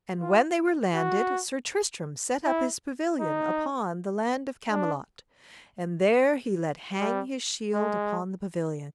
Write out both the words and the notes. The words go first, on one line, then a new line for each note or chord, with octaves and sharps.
And when they were landed Sir Tristram set up his pavilion upon the land of Camelot, and there he let hang his shield upon the pavilion.
F4
F#4
E4
D#4
D4
G3
G#3